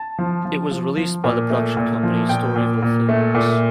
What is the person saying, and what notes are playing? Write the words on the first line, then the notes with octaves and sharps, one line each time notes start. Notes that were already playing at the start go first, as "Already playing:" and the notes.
It was released by the production company, Storyville Films.
Already playing: A5
F3
F3
F3
F3
A#2
A3
A#2
F3
A#2 G5
A#2
A#2
A3
A#2